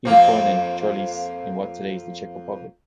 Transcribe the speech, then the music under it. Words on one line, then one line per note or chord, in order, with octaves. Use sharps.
He was born in Chrlice in what today is the Czech Republic.
F2 A#3 C4